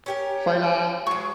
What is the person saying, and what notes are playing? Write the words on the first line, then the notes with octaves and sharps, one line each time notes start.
Fight Lah!
C#4 G4 A#4
F#3 G#3 C#6